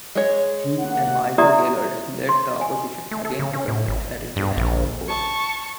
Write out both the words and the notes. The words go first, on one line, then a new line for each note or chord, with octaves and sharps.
He and Micha Gaillard led the opposition against the President at international forums.
G#3 C#5
A#3 F#5
E4 G4 D5 E5 A#5 D#6
C6
G#5
A3
A4
C#3
C#4
A2
G#1
G2
A#1
A5 C#6